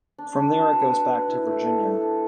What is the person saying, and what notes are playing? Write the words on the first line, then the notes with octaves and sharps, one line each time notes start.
From there it goes back into Virginia.
D4
D4
F#4
B4
B4
B4
E4
A3
A4
A4
D5